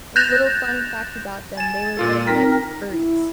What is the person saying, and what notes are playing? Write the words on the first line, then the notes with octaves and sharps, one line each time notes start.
A little fun fact about them, they were redneck furries,
F#6 G6 A6 A#6 E7 F7
G#5 A6 E7
A#2 F4 A4
C4 D#4 A#4 A#6 B6
E4